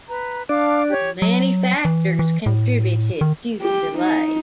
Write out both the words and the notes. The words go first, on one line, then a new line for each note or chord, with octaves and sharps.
Many factors contributed to the delay.
B4 A#5
D4 F5 D6
G4 C#5
F#3
E3
E3
A2
D#3
G4
D#4